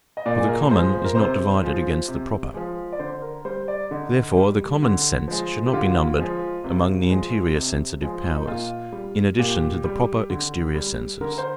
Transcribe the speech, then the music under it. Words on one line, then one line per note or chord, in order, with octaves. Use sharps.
For the common is not divided against the proper. Therefore the common sense should not be numbered among the interior sensitive powers, in addition to the proper exterior senses.
D#5
A#2 D5
G#4
A#4
F3 G#3 C5
C5
A#4
C3 C5
F3 G#3
C3
F3 G#3
D5
D3 C5
A#4
G3 C5
D5
D3 D#4
G3
D3
F3 G#3
G4
D3 F4
F3 G#3
C3
F3 G#3
C3
F3 G#3
D#4
A#2 F4
G3
A#2 G4
G3
D3
G3
D3 A#4
C5